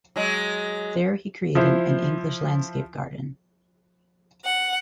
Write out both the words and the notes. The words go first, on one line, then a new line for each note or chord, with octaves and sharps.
There he created an English landscape garden.
F#3 G#3
F3 E4 C5
F#5